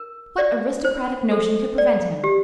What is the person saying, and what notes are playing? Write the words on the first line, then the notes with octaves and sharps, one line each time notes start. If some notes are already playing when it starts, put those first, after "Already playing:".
What aristocratic notion could prevent him?
Already playing: A#4
D5
C5
A4
D5
G4